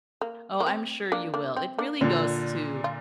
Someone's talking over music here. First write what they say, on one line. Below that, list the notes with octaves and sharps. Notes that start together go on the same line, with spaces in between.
Oh, I'm sure you will. It really goes to,
A#3
A#3
C4
A#3 D4
A#3 D4
C4
A#3 D4
A#2 D3
F4